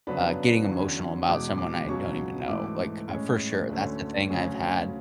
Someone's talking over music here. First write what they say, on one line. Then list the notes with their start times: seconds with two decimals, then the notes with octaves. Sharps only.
uh, getting emotional about someone I don't even know. Like, for sure, that's the thing I've had
0.07 C#3 F#3 B3 D4 B5
0.67 E2 D3 F#3 C#4
1.28 E2 B2 G#3 D6
1.58 D6
1.88 C#2 B2 F#3 C#4 C#6
2.48 G#2 E3 A3 D6
3.09 A2 G#3 C#4
3.70 D2 D3 A3 C#4
4.29 D2 C#3 F#3 C#4